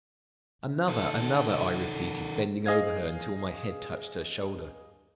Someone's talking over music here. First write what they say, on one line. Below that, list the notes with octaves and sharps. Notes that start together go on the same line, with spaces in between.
"Another, another!" I repeated, bending over her until my head touched her shoulder.
D#3 A4
G#4 D#5 F5 G#6